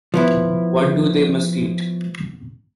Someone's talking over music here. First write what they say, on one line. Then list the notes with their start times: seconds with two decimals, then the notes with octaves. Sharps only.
What do they must eat?
0.14 F3 B3 E4